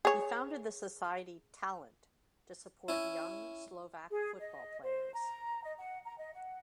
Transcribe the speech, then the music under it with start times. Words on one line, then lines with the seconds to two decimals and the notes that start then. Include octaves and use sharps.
He founded the society "Talent" to support young Slovak football players.
0.05 G#4 C#5
2.88 C#4 E4
4.10 G#4
4.39 D#5
4.83 C5
5.14 A#5
5.64 D#5
5.78 F#5
6.05 A#5
6.18 D#5
6.34 F#5